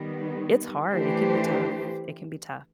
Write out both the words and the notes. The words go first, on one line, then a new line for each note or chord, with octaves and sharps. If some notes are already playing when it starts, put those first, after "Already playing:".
It's hard, it can be tough, it can be tough.
Already playing: D#3 G3 B3
E3 A3 D4 G4 C5